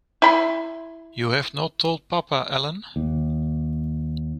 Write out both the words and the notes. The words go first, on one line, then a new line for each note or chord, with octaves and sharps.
You have not told papa, Ellen?
E4 B5 C6
D#2